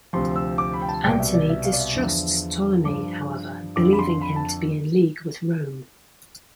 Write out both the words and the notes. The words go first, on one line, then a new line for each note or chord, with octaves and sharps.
Antony distrusts Ptolemy however, believing him to be in league with Rome.
D2 C3 F3 C6
E6
D6
B5
G5
A5
C2 B2 G5
E5
D5
E5
F5
D5
E5
E2 D3 F3
G2 F3 D6
F2 D3 F3 D6
B5
C6
B5
A5